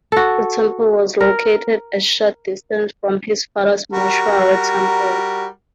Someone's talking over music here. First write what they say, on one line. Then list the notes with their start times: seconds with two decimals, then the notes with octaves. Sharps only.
The temple was located a short distance from his father's mortuary temple.
0.12 F#4 A4
1.20 A#4
3.93 G3 F#4 A#4